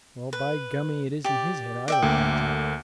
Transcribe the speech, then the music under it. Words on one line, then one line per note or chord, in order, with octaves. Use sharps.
"Well, by gummy, it isn't his head either!" cried John.
B4
G4 D5
D5 E5 G5
D2 D3 A#3